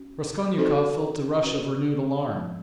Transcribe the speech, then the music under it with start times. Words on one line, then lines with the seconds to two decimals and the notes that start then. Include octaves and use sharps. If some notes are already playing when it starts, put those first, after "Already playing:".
Raskolnikov felt a rush of renewed alarm.
Already playing: C#4 F#4
0.58 C4 D#4 F#4 A4 C5
1.43 C#4 F#4 B4 D5
2.30 F3 G#3 B3